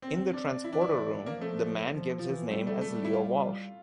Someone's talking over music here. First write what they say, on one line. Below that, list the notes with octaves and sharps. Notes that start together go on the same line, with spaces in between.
In the transporter room, the man gives his name as Leo Walsh.
C4
D4
E3 E4
D4
E4
F3 A#3
A3
F3
E3 F3
G3 A3
A3
G3 A3
E4
F4